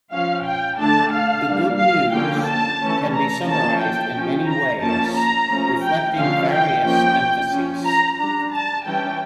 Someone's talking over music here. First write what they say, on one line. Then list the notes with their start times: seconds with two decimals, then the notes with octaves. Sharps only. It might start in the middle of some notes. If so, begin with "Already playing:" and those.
The good news can be summarized in many ways, reflecting various emphases.
0.12 F3 C#4 F5
0.46 G5
0.79 D3 A3 D4 A5
1.13 F5
1.46 G3 A#3 D4
1.81 F5
2.13 D3 F3 A#3 C#4 G5
2.47 A5
2.81 E3 A3 C#4
3.15 A#5
3.48 F3 A#3 C#4 A5
3.82 G5
4.15 F3 C#4
4.48 A#5
4.82 F3 A#3 C#4 A5
5.17 A#5
5.50 F3 A3 C#4
5.83 G5
6.17 D3 F3 C#4 F5
6.51 G5
6.84 F3 A#3 C#4 G5
7.52 F3 C#4
7.85 A#5
8.19 G3 D4 A#5
8.53 A5
8.86 E3 G3 C#4 G5